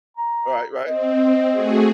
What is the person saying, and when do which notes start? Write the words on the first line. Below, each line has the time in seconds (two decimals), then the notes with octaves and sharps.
Right, right.
0.17 A#5
0.86 C4 D#5
1.52 A3 F#4 G#4